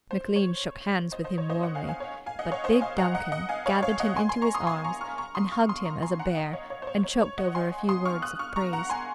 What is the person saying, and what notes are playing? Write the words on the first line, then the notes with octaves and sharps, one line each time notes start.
McLean shook hands with him warmly, but big Duncan gathered him into his arms and hugged him as a bear and choked over a few words of praise.
C5
C#5
C5 D#5
C5 D#5
C#5
C5 D#5
D#5 F#5
F5 G#5
F5 G#5
C#5
F5 G#5
D#5 F#5
C#5 F5
C5 D#5
F5 G#5
F#5 A#5
D#5 F#5
D#5 F#5
F5 G#5
C#5 F5
C#5 F5
D#5 F#5
G#5 C6
G#5 C6
A#5 C#6
C6 D#6
G#5 C6
A#5 C#6
C#6 F6
A#5 C#6
C6 D#6
C#6 F6
C6 D#6
A#5 C#6
G#5 C6
F#5 A#5
D#5 F#5
C#5 F5
C#5
C5
C#5
C#5
C#5
D#5 F#5
G#5 C6
C6 D#6
C#6 F6
D#6 F#6
C#6 F6
A#5 C#6
F#5 A#5
G#5 C6